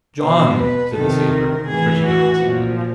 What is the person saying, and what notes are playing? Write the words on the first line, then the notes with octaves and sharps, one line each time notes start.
"John!" said the sailor, stretching out his hand.
B2 C5
B4
C3 D#3 A4
A#4
A2 E3 G#4
F#4
A#2 F3